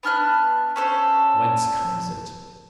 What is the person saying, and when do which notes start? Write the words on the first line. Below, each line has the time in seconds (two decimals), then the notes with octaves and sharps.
Whence comes it?
0.03 B3 D4 F6 F#6
0.76 C#4 A4 B4 C5